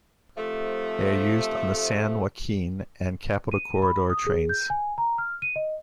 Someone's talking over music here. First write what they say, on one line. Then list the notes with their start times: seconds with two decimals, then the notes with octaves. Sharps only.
They are used on the "San Joaquin" and "Capital Corridor" trains.
0.37 C3 F3 A3
3.52 D#7
3.82 B5
4.10 D#6
4.27 G#4
4.49 G6
4.70 G#5
4.98 A#5
5.18 F6
5.42 D#7
5.56 D#5